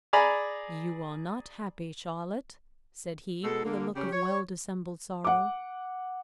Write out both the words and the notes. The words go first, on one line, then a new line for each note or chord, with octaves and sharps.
"You are not happy, Charlotte," said he, with a look of well-dissembled sorrow.
G#4 D5 G#5 A#5 B5
B2 G#3 A4
D3 A#3
C#3 C#4 G4
C#5
F#5 D6